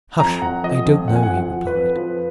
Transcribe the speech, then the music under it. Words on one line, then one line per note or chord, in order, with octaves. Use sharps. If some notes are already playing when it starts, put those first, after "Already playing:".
"Hush, they don't know," he replied.
F2 A#5
F2 F#5
F3 D#5
F2
F2 F#5
G#5
F#5
F3
F#5
F3
B4
F2
F3